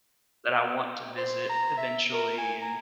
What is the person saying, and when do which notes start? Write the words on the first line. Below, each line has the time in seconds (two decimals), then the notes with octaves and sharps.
that I want to visit eventually and,
1.17 C5
1.49 A#5
1.77 E5
2.13 A#4
2.38 G#5
2.62 A#5